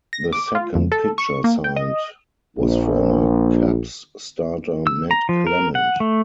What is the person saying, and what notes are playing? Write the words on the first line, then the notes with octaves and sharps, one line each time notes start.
The second pitcher signed was former Cubs starter Matt Clement.
A#6
D6
F4
F2
A4
C#6
A#3
G5
D#5
A#1
E6
A#5
F3
A#4
F#5
A3